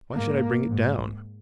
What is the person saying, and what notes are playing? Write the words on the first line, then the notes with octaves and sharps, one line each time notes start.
Why should I bring it down?
G#2 A#3
G#2